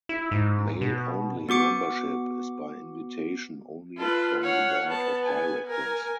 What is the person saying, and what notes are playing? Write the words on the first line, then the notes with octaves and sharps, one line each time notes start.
Male-only membership is by invitation only from the board of directors.
E4
G#2
B2
B3 F#4 D6 C#7
F4 A4 B4
C#5 F5 F#5
B3 A5
G#5
A#4 G#5